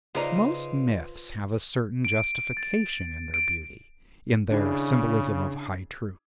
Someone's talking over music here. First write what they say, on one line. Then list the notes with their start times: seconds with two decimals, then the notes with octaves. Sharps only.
Most myths have a certain justification in their beauty, in their symbolism of high truth.
0.15 C#3 D#4 F4 B4 C5 D5 A#5
2.05 D7
2.57 A6
3.34 D7
4.51 C#3 D4 E4 G#4